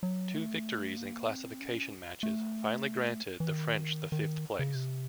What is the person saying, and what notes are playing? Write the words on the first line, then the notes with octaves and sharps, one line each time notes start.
Two victories in classification matches finally granted the French the fifth place.
F#3
A3
A#3
C4
C#4
A3
E3
D#3
D#3
C#3
C3